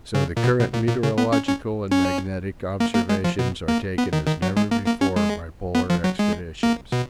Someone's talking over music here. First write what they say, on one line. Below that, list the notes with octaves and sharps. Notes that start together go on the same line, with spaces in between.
So the current meteorological and magnetic observations are taken as never before by Polar expeditions.
C#3
A#2
B2
B2
A#2
A#2
C#3
B3
C#4
C#4
C#4
A#3
A#3
G#3
F3
B2
A#3
B3
D#3
D#3
F#3
G#3
A#3
A#3
C#4
G#3
B3
F3
F#3
G#3
A#3
B2